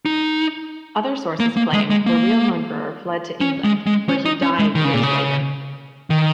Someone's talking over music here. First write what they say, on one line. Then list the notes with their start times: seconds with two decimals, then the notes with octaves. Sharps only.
Other sources claim the real murderer fled to England where he died years later.
0.06 D#4
1.40 A#3
1.57 A#3
1.74 G#3
1.90 G#3
2.06 A#3
3.41 C#4
3.64 G#3
3.87 G#3
4.09 C#4
4.25 D#4
4.42 C#4
4.59 G#3
4.75 D#3
4.84 C#3
4.94 A#2
5.03 C#3
6.10 D#3